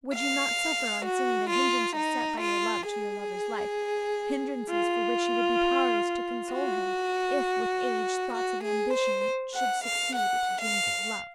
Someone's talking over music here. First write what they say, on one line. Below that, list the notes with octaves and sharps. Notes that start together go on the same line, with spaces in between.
Would you not-suffer on seeing the hindrances set by your love to your lover's life, hindrances for which you would be powerless to console him, if, with age, thoughts of ambition should succeed to dreams of love?
F5
F#4
F4
D#4
F4
G#4
F4
F#4
F#4
G#4
C5
F#5
F5
F#5
F5